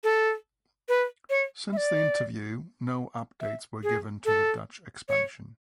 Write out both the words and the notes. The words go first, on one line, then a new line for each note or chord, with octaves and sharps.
Since the interview no updates were given to the Dutch expansion.
A4
B4
C#5
E5
D5
E5
G#4
A4
C#5